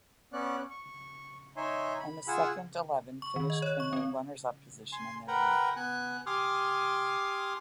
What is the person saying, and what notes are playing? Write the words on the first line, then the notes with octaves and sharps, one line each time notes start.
And the Second Eleven finished in the runners up position in their league.
B3 C#4 D5 F#6
C#6
D#4 C#5 E5 G#5 C6
B5
F4 G#4 F#5 G#5 E6
C#6
D#3
D#5
C#5
C#6
C4
G#5 C6
A#4 B4 F#5 G5 A#5
B3 G#5 F#6
G4 G#5 C6 D6 D#6 F6